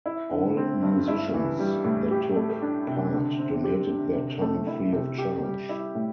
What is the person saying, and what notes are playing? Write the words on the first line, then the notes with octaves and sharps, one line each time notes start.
All musicians that took part donated their time free of charge.
E4
D3
C4
G2
E4
E3
G3
A2
G4
A3
D4
C3
D3
C4
G4
D3
C3
A3
E4
C3
G4
G3
E4
A2